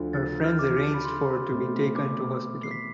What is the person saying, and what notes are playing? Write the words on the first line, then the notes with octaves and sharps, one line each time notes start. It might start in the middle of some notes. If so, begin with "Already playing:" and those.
Her friends arranged for to be taken to hospital.
Already playing: D2 D3 F3
A6
G6
F6
D6
B5
C6
B2 A3 C4
D6
C7
B6